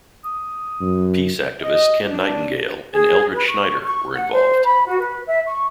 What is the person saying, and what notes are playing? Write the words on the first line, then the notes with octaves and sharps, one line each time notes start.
Peace activists Ken Nightingale and Eldred Schneider were involved.
D#6
F#2
D#5
D4
G#4
B4
C#6
C#6
F#5
C5
B5
F#4
B4
E5
C#6